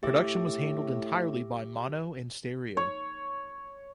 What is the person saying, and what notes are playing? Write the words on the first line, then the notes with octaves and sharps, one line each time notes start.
Production was handled entirely by Mono En Stereo.
A2 G4 E5 D6
C#5